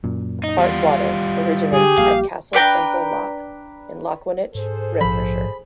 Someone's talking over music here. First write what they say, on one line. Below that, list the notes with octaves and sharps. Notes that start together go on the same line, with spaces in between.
The Black Cart Water originates at Castle Semple Loch in Lochwinnoch, Renfrewshire.
F#2 A#2
D#4
E2 G3 F4
D3 D#3 G4 G#4
A#1 A#2 G3 F5
D4 B4 G5 A#5
G#2 G#4 A4 C5
A#1 F3 B5